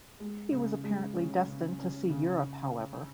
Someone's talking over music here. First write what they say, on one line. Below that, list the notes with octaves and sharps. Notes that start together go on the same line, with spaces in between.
He was apparently destined to see Europe, however.
G#3
C#3
G#3
C#4
C#3
C#4
C#3